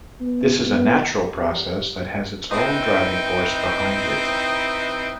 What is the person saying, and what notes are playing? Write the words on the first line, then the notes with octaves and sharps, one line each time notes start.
This is a natural process that has its own driving force behind it.
B3
B3
G4
C4 D#4 E4 B4 G5